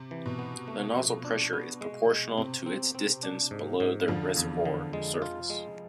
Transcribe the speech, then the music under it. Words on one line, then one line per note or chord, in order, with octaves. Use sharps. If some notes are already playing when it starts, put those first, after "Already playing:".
The nozzle pressure is proportional to its distance below the reservoir surface.
Already playing: C3
E3
B2
B3
A3
F3
D4
B3
G#3
G#3
C3 C4
C4
C4
D4
G#2
G#2
F2 D3 F3
E2
D3
G#3
F4
G#3